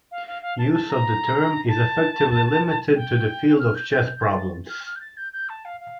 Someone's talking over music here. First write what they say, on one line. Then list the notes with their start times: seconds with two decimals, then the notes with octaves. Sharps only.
Use of the term is effectively limited to the field of chess problems.
0.12 F5
0.27 F5
0.42 F5
0.58 A5
0.74 A5
0.90 A#5
1.69 A5
2.96 G5
3.59 F6
3.75 G6
3.90 G6
4.06 G6
4.17 G6
4.23 A6
4.37 A6
4.69 F6
4.86 F6
4.96 G6
5.01 A6
5.17 G6
5.33 G6
5.49 A5
5.65 F5
5.81 F5